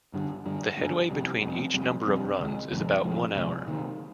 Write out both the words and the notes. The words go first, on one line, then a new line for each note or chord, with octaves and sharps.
The headway between each number of runs is about one hour.
G2 D3 G3
G2 D3 G3
G2 D3 G3
F2 C3 G3
F2 C3 G3
F2 C3 G3
F2 C3 G3
D2 C3 F3 G#3
D2 C3 F3 G#3
D2 C3 F3 G#3
D2 C3 F3 G#3
C3 D#3 A#3